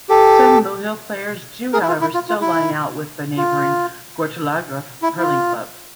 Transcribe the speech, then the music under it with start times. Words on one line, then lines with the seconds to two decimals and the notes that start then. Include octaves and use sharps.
Some Mohill players do however still line out with the neighbouring Gortlettragh Hurling Club.
0.09 G4 A4
1.73 G#4 A#4
1.82 E4
1.88 F4
2.01 E4
2.14 F4
2.29 F4
2.41 E4
3.37 F4
5.02 E4
5.18 E4
5.22 F4